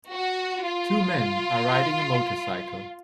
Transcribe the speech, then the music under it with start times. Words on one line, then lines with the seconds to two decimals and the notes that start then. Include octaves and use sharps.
Two men are riding a motorcycle.
0.11 F#4
0.63 F4